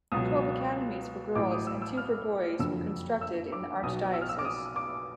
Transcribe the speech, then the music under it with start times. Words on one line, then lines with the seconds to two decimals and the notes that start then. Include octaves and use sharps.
Twelve academies for girls and two for boys were constructed in the archdiocese.
0.12 C#2 B2 F#3 D#6
1.35 A1 A2 F#3 D6
1.51 D#6
1.67 E6
1.82 E6
1.97 F6
2.59 F#1 F2 D3 F#3 E6
3.21 E6
3.52 D6
3.83 B1 B2 F#3 D#6
4.14 E6
4.22 F6
4.29 E6
4.39 D6
4.45 D#6
4.76 D6